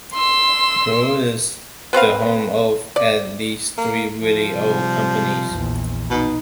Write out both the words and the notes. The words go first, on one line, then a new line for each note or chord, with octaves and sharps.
Peru is the home of at least three very old companies.
C6 E6
B3 C4 B4 F5
D5
A#3
F3
C3 G3
A#1 E2
B2 D#4